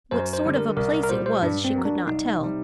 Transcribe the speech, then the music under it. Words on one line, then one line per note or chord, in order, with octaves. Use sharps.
What sort of a place it was she could not tell.
F#2 C5
C5
D3 G3
A#4
C2 A#4
A#4
A#4
A#2 G3 C5
C5
G2 D4
C4
F#3 A#3
D4
C2 D#4
C3 G3